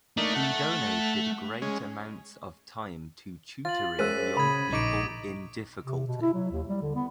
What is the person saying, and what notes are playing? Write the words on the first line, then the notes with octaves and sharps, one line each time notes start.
He donated great amounts of time to tutoring young people in difficulty.
A3 A#3 D4 D#4
F#5 A5
G#3 C#4
F4 A6 F#7
F#2 G#4 C5 E6 B6 D#7
C#3 B5 D#6 G#6
A#1 D#4 C#6 D6 D7
C3
B2
E4
F#3
D#2
G3
D3
B3